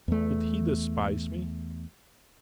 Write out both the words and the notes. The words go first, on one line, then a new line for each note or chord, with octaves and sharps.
Did he despise me?
E2 A3